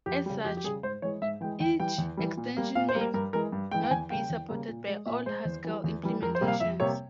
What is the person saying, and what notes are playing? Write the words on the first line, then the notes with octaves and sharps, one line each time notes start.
As such, each extension may not be supported by all Haskell implementations.
F2 G4
C#3 G3
F2 G4
G4
C#3 G3 G#4
G#2 C5
E3 G#3 C#5
G#2 E5
E3 G#3 G5
E2 G5
E3 G3 G5
E2
E3 G3
A#2
G3 A#3
A#2 F5
C5
G3 A#3
A#4
G2 A#4
E3 G#3 A#4
G2
E3 G#3 G5
G5
E2 G#5
C#3 G3 A#3 G5
E2
C#3 G3 A#3
A#2
G#3
A#2 E5
G#3 C5
E2
E3 G3
E2
E3 G3
F2 A#4
C5
C3 G3 A#3
F5
F2 E5
C3 G3 A#3 C#5